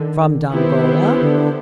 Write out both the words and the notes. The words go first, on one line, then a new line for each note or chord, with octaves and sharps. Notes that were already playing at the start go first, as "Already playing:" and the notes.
"From Dongola?"
Already playing: D3 D#3
D#3 B3 E4 G4 C5
D3